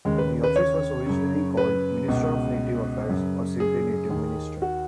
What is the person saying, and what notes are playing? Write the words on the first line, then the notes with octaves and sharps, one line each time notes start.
The office was originally called Minister of Native Affairs, or simply Native Minister.
D#2 C#3 G#3
B4
B4
C#5
F#2 C#3
B4
C#2 B2
F#2 C#3
G#4
D#2 D#3
F#4